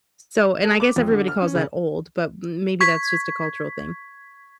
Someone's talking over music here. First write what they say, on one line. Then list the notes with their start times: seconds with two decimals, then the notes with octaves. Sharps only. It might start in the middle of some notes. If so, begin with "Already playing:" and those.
so and I guess everybody calls that old, but m maybe that's just a cultural thing,
0.64 A4
0.80 D6
0.96 F2
1.11 D3
1.28 F6
1.42 C#4
1.55 C#3
2.81 C#6 G#6 B6